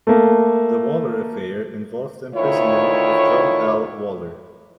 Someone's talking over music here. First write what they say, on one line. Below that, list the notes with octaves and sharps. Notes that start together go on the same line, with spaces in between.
The Waller Affair involved the imprisonment of John L. Waller.
A3 A#3
D2 D#3 E4 F4 C#5